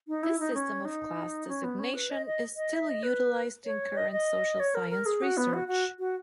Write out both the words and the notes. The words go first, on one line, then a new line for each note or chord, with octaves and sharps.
This system of class designation is still utilized in current social science research.
D#4
E4
D#4
C#4
D#4
C#4
B3
C#4
B4
D#5
D#5
D#5
E5
D#5
B4
C#5
D#5
D#5
C#5
A#4
A#4
G#4
F#4
B3
F#4
F#4
F#4